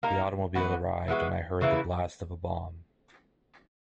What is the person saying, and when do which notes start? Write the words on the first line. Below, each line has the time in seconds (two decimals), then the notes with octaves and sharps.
The automobile arrived and I heard the blast of a bomb.
0.03 A#3 D#4 A#4
0.55 E3 B3 F#4 B4
1.08 E3 G#3 B3 F#4
1.61 C#3 E3 A#3 E4